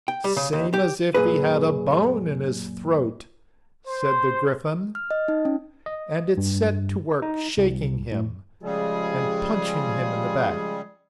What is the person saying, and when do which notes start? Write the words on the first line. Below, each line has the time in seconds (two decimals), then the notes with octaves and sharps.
'Same as if he had a bone in his throat,' said the Gryphon: and it set to work shaking him and punching him in the back.
0.08 G5
0.24 G3
0.37 C#3
0.53 D#2
0.74 G4
1.15 F#2 A#2 G#4 B4
3.86 C5
4.95 F6
5.11 D#5
5.28 D#4
5.45 C#4
5.86 D#5
6.37 G2
7.22 D#4
7.57 C2
8.12 A2
8.63 C#3 F3 G3 G#3 G#4